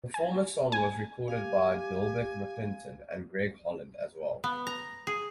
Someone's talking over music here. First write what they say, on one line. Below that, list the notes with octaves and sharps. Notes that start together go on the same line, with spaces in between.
The former song was recorded by Delbert McClinton and Greg Holland as well.
G#5
G#5
G4 F5 G#5
B3
A#5
G#4